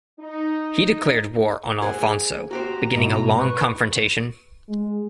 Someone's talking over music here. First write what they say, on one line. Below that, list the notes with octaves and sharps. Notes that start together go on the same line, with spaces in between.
He declared war on Alfonso, beginning a long confrontation.
D#4
G#4 C5 F#5
F#4 G4 C5 A#5
G#2 B2 E4 D#5
B4 C#6
G#3